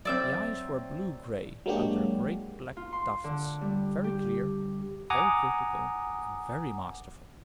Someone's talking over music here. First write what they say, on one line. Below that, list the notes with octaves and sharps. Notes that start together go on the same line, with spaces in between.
The eyes were blue-gray under great black tufts, very clear, very critical, and very masterful.
F#3 C4 D5 E5 G6
F#3 G#3 A#3 D4 F#4 G4
F4
C6
D3
G3
G4
F#5 G#5 A#5 D6 D#6